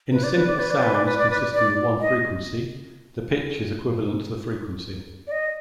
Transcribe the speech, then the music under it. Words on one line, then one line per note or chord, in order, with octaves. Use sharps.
In simple sounds consisting of one frequency, the pitch is equivalent to the frequency.
B4
D5
B4
D5
B4
D5
B4
D5
B4
D5
B4
D5
D#5
D5
D#5